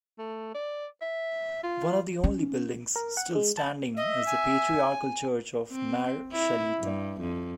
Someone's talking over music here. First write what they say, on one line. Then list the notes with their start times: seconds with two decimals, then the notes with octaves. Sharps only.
One of the only buildings still standing is the Patriarchal church of "Mar Shalita".
0.18 A3
0.54 D5
1.02 E5
1.63 F4
2.24 C#4
2.96 A#4
3.17 F#5
3.35 G#3
3.57 A5
3.97 D#5 E5
4.26 G#5
5.72 C4
6.32 E4
6.80 G2
7.21 F2